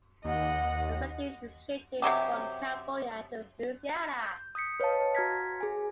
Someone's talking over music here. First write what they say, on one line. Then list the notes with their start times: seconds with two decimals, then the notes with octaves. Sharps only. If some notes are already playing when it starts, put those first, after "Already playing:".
The setting is shifted from California to Louisiana.
0.24 D#2 D#5 F#5
2.02 C3 D#3 F#3 G4
4.21 G6
4.55 D#6 G6 B6 C#7
4.80 B4 C#5 D#5 F5 A5
5.15 F#4 A#5 F6 G#6 A#6 B6
5.61 G#4 G#5